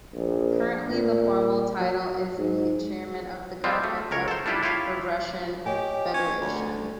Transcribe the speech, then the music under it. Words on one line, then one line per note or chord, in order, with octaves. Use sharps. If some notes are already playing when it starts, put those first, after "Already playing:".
Currently, the formal title is the Chairman of the Government of the Russian Federation.
A#1
A#2
F#3
G#2
G3 G#3 C4 F4
A3
C#2 A#4 C#5
A4 C5
G3 D4 E4 F4 G4
E4 F4 G4 C#5 F5
G4 C#5 D#5 G#5
C#4
D2